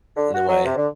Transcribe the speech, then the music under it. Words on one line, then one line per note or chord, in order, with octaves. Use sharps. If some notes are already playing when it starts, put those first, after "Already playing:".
in a way.
D3
F#4
F#3
C3
D3